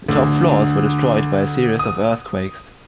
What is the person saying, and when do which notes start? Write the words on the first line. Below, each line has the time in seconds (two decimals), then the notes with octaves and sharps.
The top floors were destroyed by a series of earthquakes.
0.08 D2
1.79 D#6